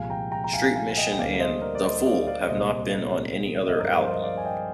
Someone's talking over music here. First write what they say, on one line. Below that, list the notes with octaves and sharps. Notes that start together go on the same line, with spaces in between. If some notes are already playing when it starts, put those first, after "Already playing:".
"Street Mission" and "The Fool" have not been on any other album.
Already playing: C2 A#2 F3 G#3 F5 G#5
G5 A#5
G5 A#5
A#5
F5 G#5
F5 G#5
G#5
D#5 G5
G5
D2 D3 G3 A#3 D5 F5
C5 D#5
A#4 D5
D5
C5 D#5
D5 F5
D5 F5
D5
C2 A#2 G3 A#3 C5 D#5
D#5
G2 F3 G#3 A#4 D5
F5
C5 D#5
D#5
D5 F5
G#5
D#5 G5